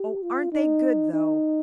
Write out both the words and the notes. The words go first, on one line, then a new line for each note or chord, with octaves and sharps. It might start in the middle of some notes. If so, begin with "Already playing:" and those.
"Oh, aren't they good, though!"
Already playing: G4
F4
D#4
D#4